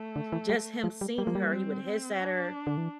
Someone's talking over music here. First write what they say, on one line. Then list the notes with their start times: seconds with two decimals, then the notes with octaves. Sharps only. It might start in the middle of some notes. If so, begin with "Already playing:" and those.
Just him seeing her, he would hiss at her,
Already playing: A3
0.16 D3
0.32 E3
0.49 G3
0.84 F3
1.01 G3
1.18 G3 A#3
1.27 F3
1.35 G3
1.53 C4
2.21 D4
2.67 D3
2.77 E3